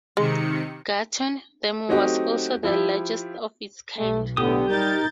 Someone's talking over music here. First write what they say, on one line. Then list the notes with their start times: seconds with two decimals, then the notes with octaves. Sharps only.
Gatun Dam was also the largest of its kind.
0.17 C3 D#3 G#3 C#7
1.89 F#3 A3 C4 D#4 F#4 G4
2.63 F3 E4 G4
3.98 B1 A3
4.37 A2 D3 B3 G4 D#6
4.69 G3 D#4 A#4 G6 A6